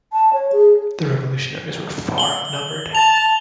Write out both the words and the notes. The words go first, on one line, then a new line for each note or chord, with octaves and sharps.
The revolutionaries were far outnumbered.
A5
C#5
G#4
F#7 G7
A5 F7